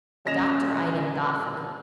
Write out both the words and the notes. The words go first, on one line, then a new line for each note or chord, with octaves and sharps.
The doctor eyed him thoughtfully.
D#1 C#4 D#5 A#6 E7 F7